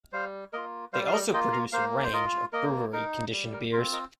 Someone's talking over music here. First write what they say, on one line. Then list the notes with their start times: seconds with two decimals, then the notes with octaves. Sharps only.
They also produce a range of brewery-conditioned beers.
0.12 G3 C5 F5
0.53 A#3 F4 A#4 D#5
0.93 G3 C5 F5
1.07 F5
1.12 A#4 D#5
1.33 A#3 F4 D#5 G5
1.52 F5 A#5
1.72 A#3 C5 F5
2.03 C5
2.13 F4 A#4 D#5
2.53 A#3 A#4 D#5
2.93 D#4 A#4
3.32 G3
3.53 A#4
3.72 F4 A#4
3.76 C4
3.92 A#4 D#5